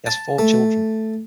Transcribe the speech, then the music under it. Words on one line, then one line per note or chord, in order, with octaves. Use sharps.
He has four children.
A5
A3